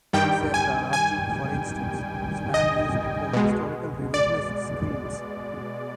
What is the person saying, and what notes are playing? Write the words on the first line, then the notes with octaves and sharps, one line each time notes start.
Serdar Argic, for instance, spammed Usenet with historical revisionist screeds.
G2 D#3 G3 G5
G#5
G#5
D#5
B2 G#3
D5